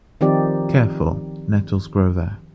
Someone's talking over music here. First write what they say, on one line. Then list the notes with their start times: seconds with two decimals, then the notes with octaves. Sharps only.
Careful, nettles grow there.
0.21 D#3 F3 C4 D#4 G4 D5